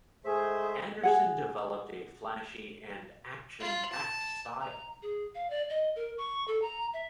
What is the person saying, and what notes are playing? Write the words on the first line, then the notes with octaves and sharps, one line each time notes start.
Andersen developed a flashy and action-packed style.
G#2 A3 G#4 C5 E5
G#4 F#5
F4
A5
A#5
G#4
F5
D5
D#5
A#4
C#6
A4
A#5
E5